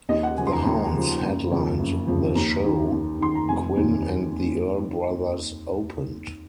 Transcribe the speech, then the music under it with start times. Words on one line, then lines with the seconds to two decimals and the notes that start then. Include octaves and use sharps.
The Hounds headlined the show; Quin and the Earl Brothers opened.
0.09 D#2 D#5
0.23 F#5
0.37 C#3 F3 G#5
0.47 C6
0.52 A#5
0.65 D#2 A#5
0.94 C#3 F3
1.22 F#1
1.51 F2 C#3 F3
1.79 F#1
2.07 F2 C#3 F3
2.35 D#2 A#5
2.64 D#3
2.92 D#2
3.20 D#3 C6
3.35 A#5
3.49 F1 G#5
3.77 D#2 D#3